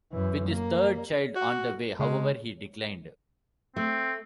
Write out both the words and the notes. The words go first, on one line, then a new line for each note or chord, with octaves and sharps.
With his third child on the way, however, he declined.
F#2 E3
A#3
F#4
C#3 G#3
A3 C4